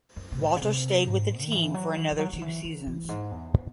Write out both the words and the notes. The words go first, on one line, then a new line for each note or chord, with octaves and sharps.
Walter stayed with the team for another two seasons.
F#2
C3
A2
C#3
C3
G#2
D#3
E3
F#3
E3
E3
F#3
D#3
E3
E3
E3
F#2
G#2
E2